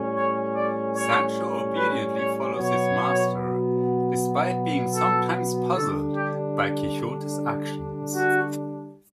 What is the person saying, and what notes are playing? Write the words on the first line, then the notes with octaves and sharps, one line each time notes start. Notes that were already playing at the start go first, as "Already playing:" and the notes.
Sancho obediently follows his master, despite being sometimes puzzled by Quixote's actions.
Already playing: A2 G3 C#4
C#5
D5
C#5
B4
C#5
B2 F#3 B3 C#5
A4
D3 G3 D4 A4
G4
F#4